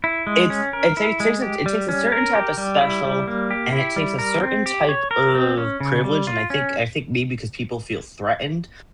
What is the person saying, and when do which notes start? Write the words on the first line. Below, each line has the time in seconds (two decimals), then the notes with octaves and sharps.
it's it takes it takes a certain type of special and it takes a certain type of privilege, and I think I think maybe 'cause people feel threatened.
0.04 E4
0.27 G#3
0.50 C#4
0.73 A#4
0.97 E4
1.20 G#3
1.42 G4
1.66 G3
1.89 C#4
2.12 A#4
2.35 G4
2.57 G3
2.81 E4
3.04 G3
3.27 A#3
3.51 G4
3.72 E4
3.96 G3
4.19 A#4
4.43 C4
4.66 G4
4.89 C#5
5.11 A#4
5.35 C4
5.57 C#4
5.80 C#3
6.04 G3
6.27 F4
6.50 C#4